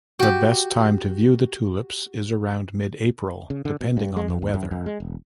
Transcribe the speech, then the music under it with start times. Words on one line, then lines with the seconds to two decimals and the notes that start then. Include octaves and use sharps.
The best time to view the tulips is around mid-April, depending on the weather.
0.19 F#4 G4 G5
3.50 C#3
3.65 D3
3.81 B2
3.97 G2
4.16 G#3
4.28 F2
4.42 D#2
4.54 F#2
4.71 F2
4.86 G#3
5.00 E1